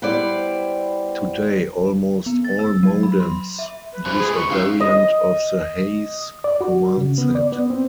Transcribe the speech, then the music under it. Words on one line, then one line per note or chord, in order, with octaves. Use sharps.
Today almost all modems use a variant of the Hayes command set.
G3 B3 E4 C5 D5
B3
A6
E6
F#3
B5
C6
E5
B4
D3 G#3 F4 C5 B5
G#4
B4 C#6
C#4 D#4 F4 E5 F5 G5
D#5
D5
F#4
C#3
B3
D5
B3
C4